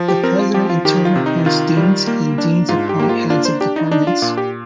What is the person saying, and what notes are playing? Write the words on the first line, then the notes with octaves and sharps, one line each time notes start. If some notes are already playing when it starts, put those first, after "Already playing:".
The president in turn appoints deans, and deans appoint heads of departments.
Already playing: F3
G4
C4 A#4
F4
F3 G4
F4
D#3 G4
F4
C3
D#4
D#3 F4
G3
A#3
D4
G#2 F4
G4
A#3 G4
F4
D4 F4
C5
D4 G4
D#4
D4 D#4
F4
A#2 F4
G4